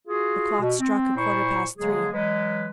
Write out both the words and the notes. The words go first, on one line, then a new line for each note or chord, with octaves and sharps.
The clock struck a quarter past three.
F4 F#4 G#4
B2
C4
A#2 E4 C5 C#6
D3 F#3 G#3 A#3 G#4
E3 F#3 G#3 B4